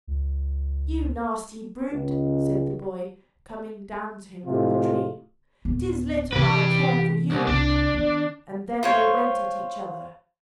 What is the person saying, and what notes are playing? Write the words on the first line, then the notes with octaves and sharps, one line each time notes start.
"You nasty brute," said the cowboy, coming down to him from the tree, "'tis little I care for you;" and then they went at each other.
C#2
C#2
A2 C3 G#3 F4
D1 B3
C3 E3 G4 B4
C2
C2 D4
D#3 B3
F4 C5 C#5